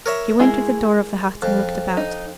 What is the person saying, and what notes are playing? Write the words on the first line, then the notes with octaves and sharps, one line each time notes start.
She went to the door of the hut and looked about.
A#4 C#5 E5
G#3 E4 G#4
F2
D#4